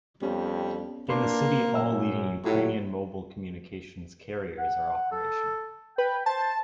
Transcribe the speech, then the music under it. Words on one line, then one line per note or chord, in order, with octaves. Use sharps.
In the city all leading Ukrainian mobile communications carriers are operational.
F2 G3 B3 C#4
A#3 D4 B4 C6 D6
F#2 A#2 E6
A2 F#3 F4 G4
F#5
A4
B4 G5
C5 A5